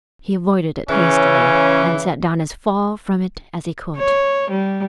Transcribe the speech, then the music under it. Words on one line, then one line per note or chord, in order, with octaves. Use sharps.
He avoided it hastily, and sat down as far from it as he could.
C#3 E3 C#4
C#5
G3